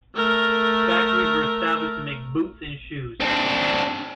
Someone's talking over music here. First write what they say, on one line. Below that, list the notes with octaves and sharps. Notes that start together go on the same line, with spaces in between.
Factories were established to make boots and shoes.
A3 A#4
C4 D4